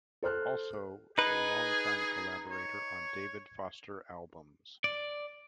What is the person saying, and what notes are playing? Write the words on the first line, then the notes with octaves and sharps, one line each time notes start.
Also a long time Collaborator on David Foster albums.
A4 C5 F6 F#6
D#4 G#4 B4
C#5
D5